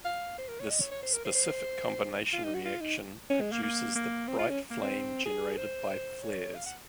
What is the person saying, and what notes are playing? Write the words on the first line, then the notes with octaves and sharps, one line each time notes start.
This specific combination reaction produces the bright flame generated by flares.
F5
C5
A#4
C#5
D#5
C#5
C#5
C5
A#4
C5
C5
F4
D#4
F#4
F4
D#4
C#4
G#3
A#3
A#3
A#3
C4
F4
C#4
A#3
C4
G#4
C5
C5
C#5
F5
F#5